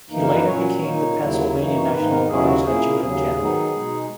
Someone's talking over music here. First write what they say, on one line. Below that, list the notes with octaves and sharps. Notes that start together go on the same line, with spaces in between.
He later became the Pennsylvania National Guard’s adjutant general.
F#2 E3 A#3 D#4
A#4
B4
A#2 F#3 C#4 C#5
A#2 A#3 D#4
D#2 C#3 F#3 A#3 E4
F#2 E3 A#3 D#4
A#4
G#2 D#3 A#3 D#4 B4
A#4
D#2 C#3 F#3 C#4 E4 G#4
F#4
A#2 A#3 C#4 E4 G#4
D#2 C#3 F#3 G#4
D#3 F#3 B3 D#4
B2 G#3 D#4